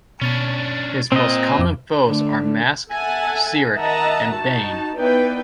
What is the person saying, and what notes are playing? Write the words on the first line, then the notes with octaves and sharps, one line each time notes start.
His most common foes are Mask, Cyric and Bane.
B2 C#4 D4 A6
A#2 C4 D#5
F2 D6
D3 A3
A4 E5 F#5 G#5 A5
D#3 D#5 E5 F#5 A5 A#5
D#4 F#4 A5
B3 D#4 E4 B4 D5 G5